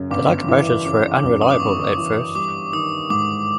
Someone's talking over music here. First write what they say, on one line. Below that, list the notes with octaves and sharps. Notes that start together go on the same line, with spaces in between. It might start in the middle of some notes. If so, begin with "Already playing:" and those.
The locomotives were unreliable at first.
Already playing: F#2 C#3
G1 D6
E3 D6
D6
C#3 D6
F#2
D#6
D6
G1 C#6
E3
G3 D6
D#3 D#6
G#2 D6